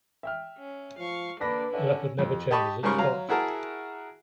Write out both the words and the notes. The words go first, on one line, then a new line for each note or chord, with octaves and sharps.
A leopard never changes its spots.
E5 G5 F6
C#4
F3 F5 C#6
D3 A#3 D4 B4 B5 A#6 B6
D3 C#4 E4 D5 E5
F2
G4 D#5 A5 B5 C#6
G#2 C#3 G3 A#4 C6 C#6
F#3 F5 A#5
E4 F#4 G#4 A#4 A5